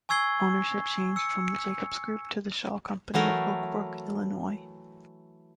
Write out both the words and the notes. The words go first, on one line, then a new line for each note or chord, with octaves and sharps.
Ownership changed from the Jacobs Group to the Shaw Company of Oak Brook, Illinois.
G#5 C#6 E6 G#6 C7 G7
E6 C#7
E3 F#3 A3 A#4